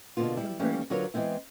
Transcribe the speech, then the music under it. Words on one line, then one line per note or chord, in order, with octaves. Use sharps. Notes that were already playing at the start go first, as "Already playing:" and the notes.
convert it?
B2 D3 A#3 B3 F4
G3 E4
E3 G3 A3 A#3 C#4
D3 F#3 F4 A#4 B4 C#5
E3 G#3 B3 C4 E4